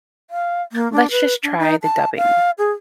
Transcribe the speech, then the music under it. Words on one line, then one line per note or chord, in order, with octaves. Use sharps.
let's just try the dubbing,
F5
A#3
D4
B4
D4
D#4
A5
F5
G#4